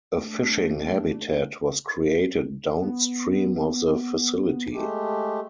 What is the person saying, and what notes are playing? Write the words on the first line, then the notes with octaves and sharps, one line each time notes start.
A fishing habitat was created downstream of the facility.
A3 D4
B3
G#3 A3 G4